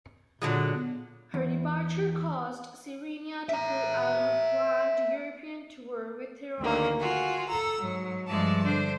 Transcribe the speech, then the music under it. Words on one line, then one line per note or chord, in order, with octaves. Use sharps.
Her departure caused "Sirenia" to pull out of a planned European tour with "Therion".
A#2 D3 F#3 G#3
B3
E2
E5 A#5
D2 D3 D#3 A#3
F4 F#4 G#4
A4 A#5 E6
G#2 F#3
G2 F3 G#3 D5 E5 A5
D3 D4 C5